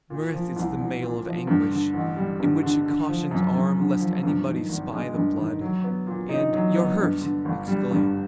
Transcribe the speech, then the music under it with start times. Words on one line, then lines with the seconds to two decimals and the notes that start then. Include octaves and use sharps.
Mirth is the mail of anguish, In which it cautions arm, Lest anybody spy the blood And "You're hurt" exclaim!
0.10 A#2
0.33 F3
0.56 C2
0.79 C2
1.02 A#2
1.25 F3
1.47 G2
1.71 D3
1.93 A1
2.17 G3
2.40 G2
2.63 D3
2.86 D3
3.09 F3
3.31 F#2
3.54 F#2
3.77 D3
4.00 F3
4.23 G2
4.46 D#3
4.69 G#1
4.92 G#3
5.15 G2
5.38 D#3
5.61 F#3
5.84 B3
6.07 A#2
6.29 D#4
6.53 F#3
6.75 B3
6.99 G2
7.21 D3
7.45 G1
7.67 G3
7.91 G2